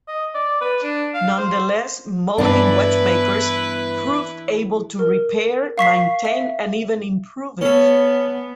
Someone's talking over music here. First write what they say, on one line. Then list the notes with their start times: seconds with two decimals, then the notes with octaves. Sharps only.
Nonetheless, Motie Watchmakers proved able to repair, maintain, and even "improve" it.
0.08 D#5
0.34 D5
0.61 B4
0.83 D4
1.14 F5
1.37 C5
2.38 G2 E3 B3 D4 E4 B4
4.99 A#4
5.78 F5 C#6 B6 C7
6.25 E5
7.61 B3 C#4 A4